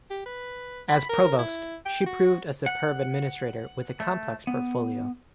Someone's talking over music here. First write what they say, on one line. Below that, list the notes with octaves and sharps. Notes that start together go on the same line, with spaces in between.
As provost, she proved a superb administrator with a complex portfolio.
G4
B4
B5
A#4
E4
G5
F#4
F#5
A3
B3